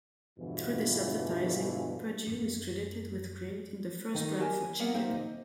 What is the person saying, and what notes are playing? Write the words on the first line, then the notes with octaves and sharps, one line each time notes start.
Through this advertising, Perdue is credited with creating the first brand for chicken.
E2 G2 B2 D3 E3 F3
F#2 A3
D#3 D#4 D#5
G4 A#4 D#5 G#5 A5
E4
A#3 B3 A#4 E5 F#5
A#3 C4 D#4 C5 E5
D#5